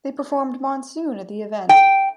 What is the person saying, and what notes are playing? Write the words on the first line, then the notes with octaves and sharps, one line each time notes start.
They performed "Monsoon" at the event.
G5